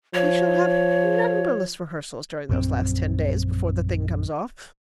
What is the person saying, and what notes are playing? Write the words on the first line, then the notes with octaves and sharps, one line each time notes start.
We shall have numberless rehearsals during those last ten days before the thing comes off.
F3 C#5
A#1 F#2 D3 C4